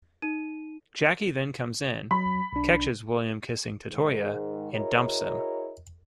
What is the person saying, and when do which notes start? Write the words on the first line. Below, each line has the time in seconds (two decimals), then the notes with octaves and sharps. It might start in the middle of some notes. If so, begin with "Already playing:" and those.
Jackie then comes in, catches William kissing Tatoya and dumps him.
0.22 D#4 D#7
2.11 F#3 B5
2.53 B1 D4
3.90 G#2 D#3
4.73 E4 F#4 G#4 A#4 C#5 D#5